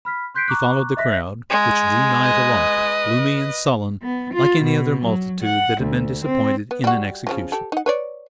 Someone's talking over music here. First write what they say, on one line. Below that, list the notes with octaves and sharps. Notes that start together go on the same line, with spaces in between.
He followed the crowd, which drew nigh the lodges, gloomy and sullen, like any other multitude that had been disappointed in an execution.
B5 F6 B6
C6 F#6 G6 B6 C7 D7
A#5 C#6 D6 F#6
D#5 E5 F#6 A#6 B6
G#3
B4 D#5
B3
F4
B2
F#3
F#5
D2
C4
B3
G3 F#4
C#3 F3 F#3
G4 A4
D#4 F#5
B4 C#5 D5